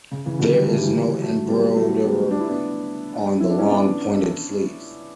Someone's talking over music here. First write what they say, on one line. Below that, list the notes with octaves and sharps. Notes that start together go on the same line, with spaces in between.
There is no embroidery on the long, pointed sleeves.
C#3
C#3 E3
D3 F#3
G3
A3
E3 G3
F#3 A3
G3 B3
F#3 A3
G3 B3
D4
E4
B3 D4
E4
D4
C#4 E4
B3 D4